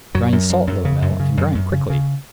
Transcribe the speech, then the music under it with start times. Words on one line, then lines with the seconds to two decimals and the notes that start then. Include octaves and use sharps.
"Grind salt, Little Mill, and grind quickly!"
0.15 F#2 F#3
0.32 F#2
0.50 F#2
0.67 F#2
0.85 C#3
1.02 F#2
1.20 C#3
1.37 F#2
1.55 F#2
1.72 C#3
1.90 C#3